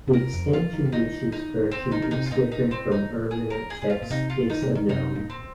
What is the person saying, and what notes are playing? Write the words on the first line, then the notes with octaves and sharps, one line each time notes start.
The extent to which his version is different from earlier texts is unknown.
A#2
C3 A#4
F2
F3 F4
D#3
C3
D#3 D#4
D#4
C4
D#3 D#4
D#3
C3 D#4
F4
A#2 D#4
D#4
C4
D#4
G#4
A#4
G#4
G#4
F4
A#2
C3 D#4
F4
D#3 D#4
C3
D#3
C3 D#4
A#2
C4